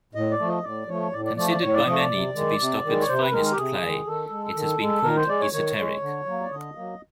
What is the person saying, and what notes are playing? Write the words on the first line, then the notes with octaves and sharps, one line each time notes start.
Considered by many to be Stoppard's finest play, it has been called "esoteric".
A2 D#5
D5
F3 A3
D#5
A2 D5
F3 A3 C#5
A2 D5
D5
F3 A3 D5
D5
A2 C#5
D5
F3 A3 D#5
D5
C3
D#3 G#3
C3
D#3 G#3
C#5
C3 C5
B4
D#3 G#3 A#4
A#4
G4
C3 G#4
D#3 G#3
D#3 A4
G#3
D#3
G#3
D#3 A#4
C5
G#3 D5
C#5
D#3 C#5
G#3
D3
F#3 A#3
D5
D3 D#5
F#3 A#3